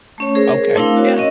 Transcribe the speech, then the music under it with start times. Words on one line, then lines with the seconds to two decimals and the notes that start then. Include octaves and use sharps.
Okay, yeah.
0.18 A3 C#4 C#5
0.35 G#4 A#4 C5
0.75 A3 C4 D4 E4 A#4 F5
0.97 F#4 C#5
1.17 C#4 A#4 D#5